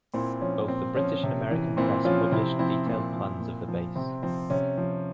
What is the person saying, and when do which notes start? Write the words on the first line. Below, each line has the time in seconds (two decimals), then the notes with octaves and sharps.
Both the British and American press published detailed plans of the base.
0.14 A#2 C4 E4
0.41 F3 C#4
0.68 A#2 C4
0.96 F3 C#4
1.23 C3
1.51 E3
1.77 A#2 C4 E4
2.05 F3 C#4 F4
2.32 C3 C4 E4
2.59 F3 C4 E4
2.86 A#2
3.13 F3
3.41 A#2
3.68 F3
3.95 C3 C4
4.23 F3 C4
4.50 C3 C#4
4.78 F3